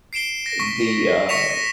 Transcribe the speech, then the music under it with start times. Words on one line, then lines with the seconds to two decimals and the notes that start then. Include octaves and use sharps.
the, uh,
0.13 C7 D7 E7 G7
0.46 A#6
0.60 C#6 B6
1.29 C#6 A#6 B6 C#7 E7 F7
1.50 A#6